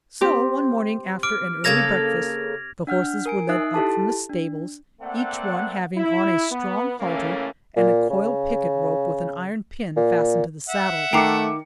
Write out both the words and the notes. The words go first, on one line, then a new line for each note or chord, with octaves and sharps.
So, one morning after an early breakfast, the horses were led up from the stables, each one having on a strong halter, and a coiled picket rope with an iron pin fastened to the saddle.
C4 G4
D6 F6 D7
C#3 A#3 A4 G#6 A#6 F7
D4 F#5 F6 G6
A#4 G#5 D7
D#4 E5 D#6 F#6 C7
E4 G4 A4 A5
D4
A3 A#3 C4 D5 F#5
E4
B3
A2 C#3 E3 A3 A#3 C#4
A#2
C#3
A#2
E5 F#5
D#3 A3 G5 A#5 D6 C7 C#7